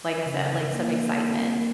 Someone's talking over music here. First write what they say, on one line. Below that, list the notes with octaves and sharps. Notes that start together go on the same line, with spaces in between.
like I said, like, some excitement
C#3
A#3